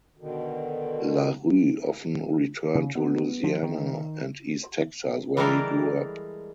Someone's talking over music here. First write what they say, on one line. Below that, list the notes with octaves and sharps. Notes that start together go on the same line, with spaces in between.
LaRue often returned to Louisiana and East Texas, where he grew up.
B2 D3 D#3
C#3
B3
F3
D#3
E3 G3 G#3 A4 A#4 D5